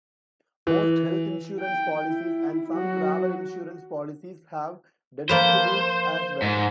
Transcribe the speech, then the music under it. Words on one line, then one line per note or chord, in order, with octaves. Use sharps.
Most health insurance policies and some travel insurance policies have deductibles as well.
E3
G5
E4
F#3 F#4
F3 A#3 B4 C5
G#2